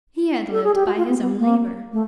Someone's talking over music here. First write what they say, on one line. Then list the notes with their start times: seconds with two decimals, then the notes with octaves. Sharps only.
He had lived by his own labor.
0.51 A4
0.64 G#4
0.74 G4
0.86 F#4
0.97 F4
1.09 B3
1.21 B3
1.38 A#3
1.92 A3